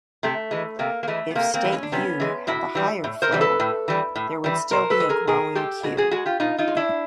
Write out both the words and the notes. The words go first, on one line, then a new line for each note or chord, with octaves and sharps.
If state U had the higher flow, there would still be a growing queue.
C3 A3
E3 G#3
C3 A#3
A#3
E3 G#3 A3
B3
C3 A#3
A#3 C4
E3 G#3
C#4
D4
C3 B3 C#4
E3 G#3
A2 E4 F#4
E3 G3
A2
A#4 C5
E3 G3
A4 B4
A2
E3 G3
A2
E3 G3
B2 A#4 C5
A4 B4
G#3
G#4 A#4
B2 G#4 A#4
G#3 G4 A4
B2 F#4 G#4
F#4 G#4
G#3 F#4 G#4
F4 G4
B2 D#4 F4
D#4 F4
G#3
D4 E4